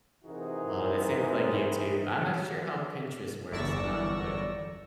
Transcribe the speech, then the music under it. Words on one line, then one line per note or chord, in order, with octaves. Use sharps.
a lot of the same with, like, YouTube. I'm not sure how Pinterest works, um, but
C3 E3 D#4 F#4 G#4 A#4
G1 E2 D5 C#6 E6 A#6